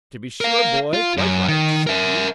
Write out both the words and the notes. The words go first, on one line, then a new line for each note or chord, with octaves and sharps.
"To be sure, boy; quite right," said he.
A#4 F5
F4
F#2
D#3
A#4 E5